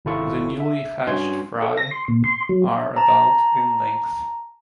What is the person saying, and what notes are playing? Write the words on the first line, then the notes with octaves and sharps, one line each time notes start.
The newly hatched fry are about in length.
G#1 C3 E4 F4 A4 C#6
E5
G2 C#4 F#4 C6 G#6
A4
A#6
C6
A#2
C6
F#3
A5 A#5